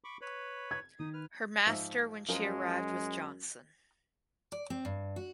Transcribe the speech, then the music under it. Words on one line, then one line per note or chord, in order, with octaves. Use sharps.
Her master when she arrived was Johnson.
B5 C#6 D6
B4 C#5 B5
G#6
D#3 D#4 D#6
B4 F6
G#2 F3 E5
F#2 F3 G#3 G#4 A#4
D5
C4
G2
F#4